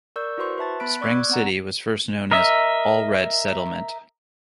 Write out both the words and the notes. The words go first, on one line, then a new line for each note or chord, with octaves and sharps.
Spring City was first known as "Allred Settlement".
A#4 D5 C#6 E6 G6
E4 F#4 B4 C5 C6 C#6
B4 E5 A5 A6
B3 B5 F#6 B6 D7
D5 C#6 D6 E6 F#6 G#6
B3 C4 F#5 A#5
A#4 D#5 E5